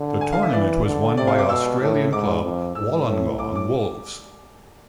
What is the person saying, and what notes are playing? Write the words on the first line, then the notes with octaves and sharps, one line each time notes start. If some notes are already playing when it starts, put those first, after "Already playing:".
The tournament was won by Australian club Wollongong Wolves.
Already playing: D3
G#5
F5
E5
E3 D5
D3
C3 D5
F5
D6
B2 E6
A2
G#2 D6
F2
G#2 E6
A2
A2 D6
D6